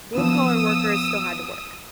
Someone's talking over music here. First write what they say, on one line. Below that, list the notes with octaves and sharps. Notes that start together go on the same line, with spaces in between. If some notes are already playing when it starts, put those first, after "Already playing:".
blue collar workers still had to work
F3 B3 D#6 E6